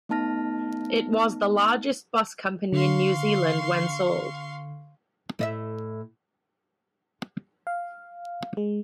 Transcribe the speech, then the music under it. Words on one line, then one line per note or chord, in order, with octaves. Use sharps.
It was the largest bus company in New Zealand when sold.
A3 B3 D#4 A5 F6 A#6
D3 F5 C6 C#6
A2 D#5 E5
F5
G#3